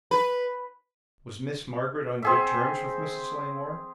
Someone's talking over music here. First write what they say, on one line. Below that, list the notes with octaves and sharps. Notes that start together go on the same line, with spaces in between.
"Was Miss Margaret on good terms with Mrs. Langmore?"
B4
C4 G#4 E5